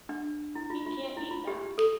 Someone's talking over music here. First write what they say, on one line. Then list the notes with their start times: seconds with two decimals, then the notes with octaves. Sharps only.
He can’t eat that.
0.09 D4
0.55 E4
0.70 F4
0.86 F4
1.17 E4
1.31 F4
1.47 G4
1.78 A4